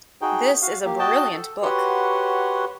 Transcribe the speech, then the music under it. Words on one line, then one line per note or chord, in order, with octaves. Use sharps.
This is a brilliant book.
D#4 F#4 G#4 G5
F#4 F5
A#3 G4
F#4 D#5 G5 A5
A4
F#4 G4 B4 C#5 F#5 C6